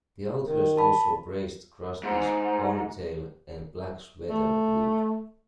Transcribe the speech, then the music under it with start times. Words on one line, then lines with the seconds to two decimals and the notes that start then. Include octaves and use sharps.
The authors also praised Krusty's "ponytail and black sweater" look.
0.45 D#3
0.77 A5 B5
2.03 G#2
4.30 A3